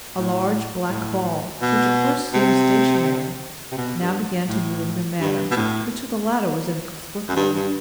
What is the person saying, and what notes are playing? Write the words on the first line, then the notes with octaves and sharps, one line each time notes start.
A large black ball, which at first seemed stationary, now began to move in a manner that to the latter was inexplicable.
A2
A2
B2
C3
C3
B2
G2
A2
G2
B2
A2
F#2
G2
G2